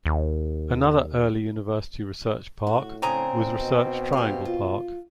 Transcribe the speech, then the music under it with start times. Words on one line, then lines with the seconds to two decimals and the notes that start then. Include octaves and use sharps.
Another early university research park was Research Triangle Park.
0.06 D#2
2.67 A2 F#4
3.02 C#3 C4 D4 G#5 A#5 D#6
3.59 B2 D#4
4.13 G4 F5
4.45 F4